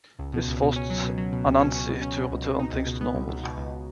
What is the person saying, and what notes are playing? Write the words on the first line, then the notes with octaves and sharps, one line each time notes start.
This forced Anansi to return things to normal.
C#2
B2
C#2
B2
C#4
F#3
B2
F#3
B2
C#2
C#4
C#4
B2
C#4
B2
C#2
B2
D#4
C#2
B2
B3
C#2
C#2
B2
C#2